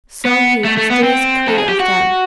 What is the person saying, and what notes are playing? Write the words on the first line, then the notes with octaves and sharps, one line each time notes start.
So he steers clear of them.
B3
A3
A3
B3
C4
A4
G#4
G4
F#4